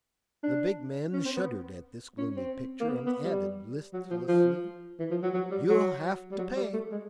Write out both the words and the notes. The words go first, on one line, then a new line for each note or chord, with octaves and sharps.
The big man shuddered at this gloomy picture, and added, listlessly: "You'll have to pay."
D4
C#4
C4
B3
C#4
C4
A#3
B3
B3
G3
F#3
F3
F3
E3
F3
F#3
F#3
G3
F#3
G3
F#3
G3
A3
G#3